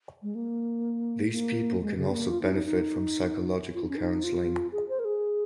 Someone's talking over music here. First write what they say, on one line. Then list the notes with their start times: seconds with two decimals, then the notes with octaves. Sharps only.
These people can also benefit from psychological counseling.
0.22 G#3
0.35 A#3
1.32 A#3
1.81 G#3
1.97 C#3
2.09 C4
2.12 A#3
2.29 F4
2.42 D#4
2.49 C#4
2.54 D#4
2.65 D#4
3.75 F4
3.82 D#4
3.89 C#4
3.97 D#4
4.23 F4
4.72 G#4
4.88 C5
4.99 A#4
5.05 G#4